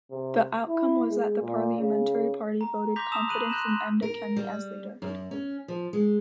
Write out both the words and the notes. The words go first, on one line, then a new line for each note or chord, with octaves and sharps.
The outcome was that the parliamentary party voted confidence in Enda Kenny as leader.
C3
E4
G#3
A#2
C#3
A#5
C6 D6 G6 A#6 B6 F7
A5 D#6 E6 E7 F7
B5 F#6 D#7 F#7
C6 F#6 G6 A#6 B6 E7
C6
A#4
G3
F#2
C#4
F3
G#3